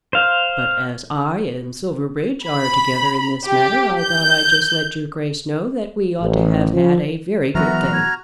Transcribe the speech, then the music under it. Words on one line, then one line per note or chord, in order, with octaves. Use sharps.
But as I and Silverbridge are together in this matter I thought I'd just let your Grace know that we ought to have had a very good thing.
C5 F5
B5
G4
G6
A1
F3
E3 F#3 B3 F#4 E5 A#5 F6
G#6